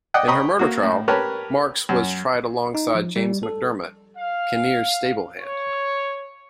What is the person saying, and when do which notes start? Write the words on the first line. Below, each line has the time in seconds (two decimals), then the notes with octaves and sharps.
In her murder trial, Marks was tried alongside James McDermott, Kinnear's stable hand.
0.14 D5 D#5 F#5 G5
0.28 D#5 G5 A#5 B5 C#6 D#6
0.59 A#3 F#4
0.83 A2
1.08 G4 A#4 B4 C#5 A5
1.89 F#2
2.75 D#4
2.95 F3
3.16 G3
3.43 A4
4.17 F5
5.40 C#5